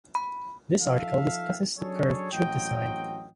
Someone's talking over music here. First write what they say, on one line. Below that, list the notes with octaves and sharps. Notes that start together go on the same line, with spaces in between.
This article discusses the curved tube design.
B5
F3 D#4 A4 E5 F5
F#3 C#4 D4 G#4 A4 C#5
A1 E2 F#3 C4 D#5 G5